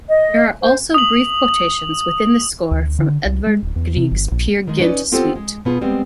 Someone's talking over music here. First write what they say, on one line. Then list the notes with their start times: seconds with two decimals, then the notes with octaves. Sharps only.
There are also brief quotations within the score from Edvard Grieg's Peer Gynt Suite.
0.09 D#5
0.61 C5
0.94 D#6 F#7
2.71 D2
2.99 D3
3.25 C2
3.47 G#3
3.62 D1
3.76 E2
3.97 C3
4.11 G1
4.31 A#1
4.67 D#3 G#3
4.79 C#4 D#4 B4 D5
5.12 B3 C4 F4 G4 A4 C5
5.35 G#3
5.65 B2 B3 F4 G#4
5.81 G3 G#3 B3 C4